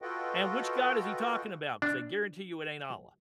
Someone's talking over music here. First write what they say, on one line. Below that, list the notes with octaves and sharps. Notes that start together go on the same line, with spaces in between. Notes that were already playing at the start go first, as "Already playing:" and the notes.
and which God is he talking about, 'cause I guarantee you it ain't Allah.
F4 F#4 A4 B4 D#5 G5
D4